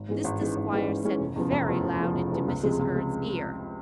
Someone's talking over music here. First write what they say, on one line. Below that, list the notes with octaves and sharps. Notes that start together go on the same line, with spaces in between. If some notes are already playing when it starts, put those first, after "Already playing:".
This the squire said very loud into Mrs. Hearn's ear.
Already playing: G#1
G#2 E3 G#3 C#4
G#1
G#2 E3 G#3 C#4
G#1
G#2 E3 G#3 C#4
G#1
G#2 E3 G#3 C#4
F1
E2 C#3 F3
F1
E2 C#3 F3
F1
E2 C#3 F3
F1
E2 C#3 F3
C#2
C3 F3 G#3
C#2
F3 G#3